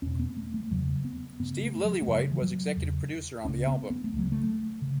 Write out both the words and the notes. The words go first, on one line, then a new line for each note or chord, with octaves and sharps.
Steve Lillywhite was executive producer on the album.
E2 B2 C#4
B3
A3
A3
E2 C#3 F#3
B3
F#2 C#3 B3
A3
F#3
A3
F#2 C#3 F#3
E3
F#3
E2 C#3
C#2 C#3 C#4
B3
B3
A3
C#2 C#3 F#3
A3
C#3